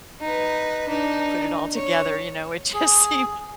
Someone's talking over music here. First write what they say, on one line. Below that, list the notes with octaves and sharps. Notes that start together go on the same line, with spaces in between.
put it all together, you know, it just seemed
D#4 B4
D4 D#4
C#5
G#4